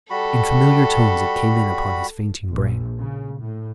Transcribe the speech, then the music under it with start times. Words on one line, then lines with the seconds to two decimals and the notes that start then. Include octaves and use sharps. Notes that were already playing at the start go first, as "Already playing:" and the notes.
In familiar tones it came in upon his fainting brain.
0.10 G3 F#4 A4 B5
2.54 A#1
2.98 C#3
3.40 A2